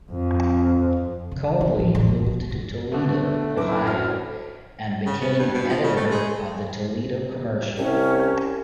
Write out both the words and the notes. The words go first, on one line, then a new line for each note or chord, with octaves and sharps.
Comly moved to Toledo, Ohio, and became editor of the "Toledo Commercial".
F2
C#3
F3
A1
A1
B2
B3
F#2
B2 D3 A3
F#1 F#2 E3 D6
E4
D2 F6
C#3
B3
G2
B2
F3
C#3
A3
G#3
C2 C#4